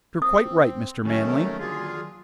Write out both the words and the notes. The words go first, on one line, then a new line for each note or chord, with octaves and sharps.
You're quite right, Mr. Manley.
C4 D#6
D#2 D#3 F#3 A3 C#4
D3 F4 G#4